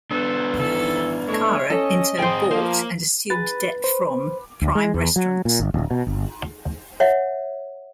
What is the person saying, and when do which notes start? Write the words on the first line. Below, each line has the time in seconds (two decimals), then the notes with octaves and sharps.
Cara in turn bought, and assumed debt from Prime Restaurants.
0.11 B3 D4 A4 B4 C5
0.59 E3 A4
1.27 G#3 A3 E4 C#5
1.70 C#4 A4 D#5
2.19 C4 G#4 C5 G5
2.51 F3 A#3 C5
3.30 B4 A6
3.84 C5
4.61 D2
4.75 G#3
4.94 E2
5.16 F#3
5.45 A#2
5.60 G1
5.74 D1
5.91 B2
6.07 G1
7.00 C#5 E5 F#5